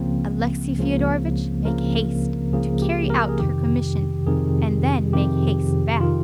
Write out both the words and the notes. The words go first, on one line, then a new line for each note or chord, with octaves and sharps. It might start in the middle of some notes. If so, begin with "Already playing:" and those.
Alexey Fyodorovitch, make haste to carry out her commission, and then make haste back.
Already playing: C#2 C#3 F3 A#3 C4
C#2 C#3 F3 A#3
C#2 C#3 F3 A#3 A#4
C#2 C#3 F3 A#3 G#4
G4
A#4
G#4
F2 C3 D#3 G4
F2 C3 D#3 G#4
F2 C3 D#3 G4
C3 D#3 F4